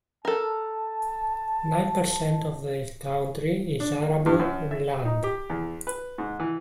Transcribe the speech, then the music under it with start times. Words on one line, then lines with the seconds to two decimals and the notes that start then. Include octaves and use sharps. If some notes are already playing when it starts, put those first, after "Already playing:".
Nine percent of the country is arable land.
0.25 A4 A#4 A5
3.80 D4
4.02 A#3
4.26 G2
4.39 F#2
4.71 E5
5.05 D#4
5.24 G4
5.50 E2
5.87 B4
6.18 G#2
6.40 E3